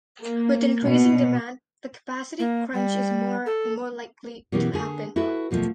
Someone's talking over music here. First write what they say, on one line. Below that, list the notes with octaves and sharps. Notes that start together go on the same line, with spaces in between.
With increasing demand, the capacity crunch is more and more likely to happen.
A#3
B2
A#3
G3
A4
B2 E3 A#3 B3 C#4 G4
D3 G#4
E4 F#4 A4 B4
D#2 B2 F3 G#3 A3